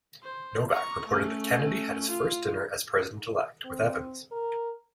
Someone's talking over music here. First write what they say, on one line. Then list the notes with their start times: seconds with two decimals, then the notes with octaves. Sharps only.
Novak reported that Kennedy had his first dinner as president-elect with Evans.
0.23 C5
0.71 A#5 C#6
1.08 A3 C#4
2.09 F4
3.65 C4
4.32 A#4